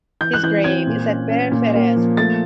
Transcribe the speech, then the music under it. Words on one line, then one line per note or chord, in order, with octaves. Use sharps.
His grave is at Bere Ferrers.
E3 G6
F#6
E3 G6
C4 G#6
A#2
C#4
C#4
A#2
A#3
F3
A3 A6